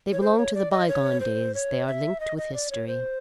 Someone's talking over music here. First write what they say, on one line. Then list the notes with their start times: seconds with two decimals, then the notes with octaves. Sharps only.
They belong to the bygone days, they are linked with history.
0.12 C#5
0.21 C5
0.38 C#5
0.55 D5
0.72 D#5
0.88 C#5
1.20 C5
1.55 C#5
1.87 E5
2.20 D#5
2.38 D#5
2.54 D5
2.71 C#5
2.87 C5